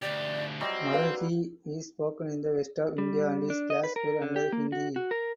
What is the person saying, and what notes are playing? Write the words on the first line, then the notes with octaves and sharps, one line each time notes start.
Magahi is spoken in the west of India and is classified under Hindi.
D2 G4 D5
F#3 G3 C4 E4 D#5
B4 F5
G3
D4
D#5
B4
A#4
D3
G4
A#3
F#4
F#4
A#4